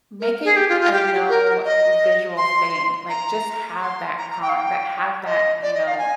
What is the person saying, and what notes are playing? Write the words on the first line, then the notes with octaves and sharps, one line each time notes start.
"Make it a no visual thing," like, just have that con that have that, you know,
A#4
G#4
G4
F4
F4
G4
A#4
D#5
C6
A#5
C6
A#5
A#5
G5
F5
G5
D#5
D5
D#5
F5
G#5